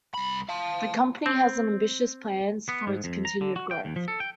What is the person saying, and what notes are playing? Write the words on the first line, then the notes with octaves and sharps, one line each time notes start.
The company has ambitious plans for its continued growth.
C2 B5
F5 A5
C4
B3
G#2
F2
A#5
D3
F#4
G5
D#2
F3
A4
G5